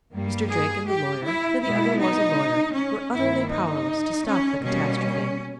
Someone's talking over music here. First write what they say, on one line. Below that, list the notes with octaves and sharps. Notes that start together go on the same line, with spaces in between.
Mr. Drake and the lawyer--for the other was a lawyer--were utterly powerless to stop the catastrophe.
G2 G3 A#3
G#4
G4
E4
B2 G#3 B3 E4
D#4
C#4
G2 D#3 A#3 E4
D#4
C#4
B2 G3 A#3 C#4